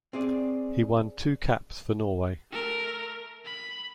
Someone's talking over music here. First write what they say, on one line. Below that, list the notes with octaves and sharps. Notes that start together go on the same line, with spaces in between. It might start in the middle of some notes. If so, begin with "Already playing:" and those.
He won two caps for Norway.
C4 G#4 D5
A3 A#4
B5